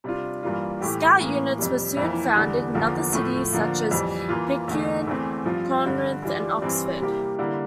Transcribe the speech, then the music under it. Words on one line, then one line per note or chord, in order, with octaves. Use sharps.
Scout units were soon founded in other cities such as Picayune, Corinth and Oxford.
C3 G3 D4 F4
G2 E3 G3 A#3 F4
A2 E3 A3 E4 G4
A2 E3 A#3
F2 C3 G3
F2 E3 A#3 E4
E2 D3 G3
E2 D3 F3 A#3
A2 F3 A3
D3 F3 A#3
F2 E3 G3
E3 A#3 F4
E2 D3 A3
E2 E3 A3 C4
G2 F3 C4 F4
G2 D3 G3
E3 G3 D4 F4
G2 E3 G3 C4
C3 G3 A#3 E4 G4
D3 G3 A#3 E4